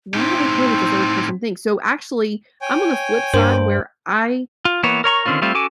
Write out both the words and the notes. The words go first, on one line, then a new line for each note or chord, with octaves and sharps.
why would I care what this other person thinks? So, actually, I'm on the flip side where I
A2 C4 D#4 G4
C#5 G5 G#5
G2 D4 A#4 C5
F4
E3 A#3 B3 C#5
A#4 C#5 A#5 C#6
D3 D#3 C4 C#4 F4
G3 A3 C4 F4
C#4 F#4 A4 G#5 D6